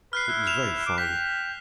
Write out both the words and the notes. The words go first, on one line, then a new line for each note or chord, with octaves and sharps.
It was very fine!
B4 F6 F#6 C7
E4
E7 F7
D6
G5 B6